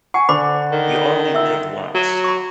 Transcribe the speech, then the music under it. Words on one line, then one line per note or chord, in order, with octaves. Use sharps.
"You only live once,"
F#5 G#5 C#6
D3 C5 B5 D6
D#3
E5 E6
F#3
B5 C#6